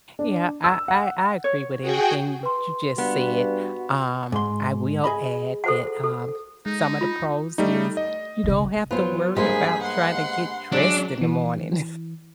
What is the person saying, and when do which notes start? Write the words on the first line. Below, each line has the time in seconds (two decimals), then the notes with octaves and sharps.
Yeah. I I I agree with everything you just said, um, I will add that, um, some of the pros is you don't have to worry about trying to get dressed in the morning.
0.19 D4
0.64 E6
0.88 F#5
1.44 C#5
1.81 F#4 G#4 G5
2.43 B4 C6
2.98 G2 B3 F#4
4.32 G#2 C6
5.04 G#4 D#5 B5
5.64 A4 C5 F#5
6.04 A4
6.66 G#3 D#4
7.01 F4
7.58 G3 A3 D#4
7.97 D#5
8.44 C#3 G#3
8.91 F#3 B3 F4 C5
9.36 G2 G#3 A#3 B3 G#4 C5 G#5 B6
9.82 F#5 C6
10.72 F#3 G#3 D4
11.21 E3